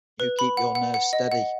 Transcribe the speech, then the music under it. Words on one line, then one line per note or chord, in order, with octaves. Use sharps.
You keep your nerves steady.
B4
B5
F#5
F#5
F#5
D#5
F#5